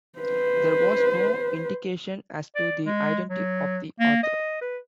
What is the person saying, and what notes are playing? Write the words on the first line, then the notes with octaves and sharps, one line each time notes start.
There was no indication as to the identity of the author.
B4 C5
D5
G#3
F#3
A#3
D#5
B4